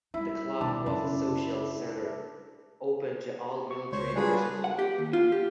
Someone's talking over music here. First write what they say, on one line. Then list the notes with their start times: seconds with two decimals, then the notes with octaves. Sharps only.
The club was a social centre, open to all military personnel.
0.14 G3 D#4 E4
0.61 B2 D#3 D4
0.86 F#2 C#3
3.71 C#6
3.92 C#2 C5 C#5 C#6
4.16 G3 D4 F4 F#4 G#4 B4
4.64 F#5
4.79 G4
4.98 D#2
5.13 F4
5.32 G4